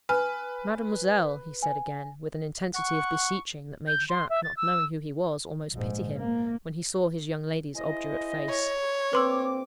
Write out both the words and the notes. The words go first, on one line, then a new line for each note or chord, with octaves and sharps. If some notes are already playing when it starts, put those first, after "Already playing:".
'Mademoiselle!' he said again, with an intensity of beseeching that made Jacques--not knowing who he was--almost pity him, when he saw his young lady's obdurate face.
B4 G#5 F6
G#5
F#5 C#6
G6
C6
E5
A6
E6
A#1 G#2
A#3
E4 G#4 C5 D#5
C#5
D2 A#3 C4 B4 C6 D6 E6